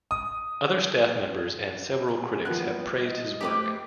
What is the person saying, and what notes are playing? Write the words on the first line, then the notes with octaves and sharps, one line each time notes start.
Other staff members and several critics have praised his work.
D#6
G#3 E4 G#4
E3 F3 G3 A#3 B3 F#6
D#5
A3 C4 G4 B4 D6